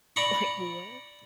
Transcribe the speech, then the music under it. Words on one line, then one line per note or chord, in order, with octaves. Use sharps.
Like, what?
D5 A#5 B5 C#6